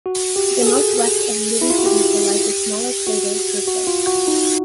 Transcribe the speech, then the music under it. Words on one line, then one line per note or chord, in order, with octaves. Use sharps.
To the northwest of Levi-Civita lies the smaller crater Pirquet.
F#4
G4
A4
G#4
E4
F4
F#4
G4
F#4
F#4
F4
F#4
D#4